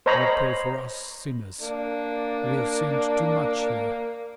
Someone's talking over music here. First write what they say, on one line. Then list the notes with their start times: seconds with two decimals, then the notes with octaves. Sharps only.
You'll pray for us sinners; we have sinned too much here.
0.06 C5 C#5 D#5 A#5 B5
1.61 A#3 D4